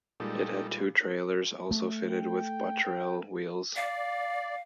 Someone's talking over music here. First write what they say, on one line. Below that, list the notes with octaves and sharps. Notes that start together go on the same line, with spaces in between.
It had two trailers also fitted with Bottrill wheels.
A#2 G3 G#3 D#4 G4 A4
A3
G5
D5 F5